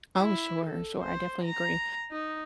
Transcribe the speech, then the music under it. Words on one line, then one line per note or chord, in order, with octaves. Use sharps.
Oh, sure, sure, I definitely agree,
E4
A4
C5
A#5
D#4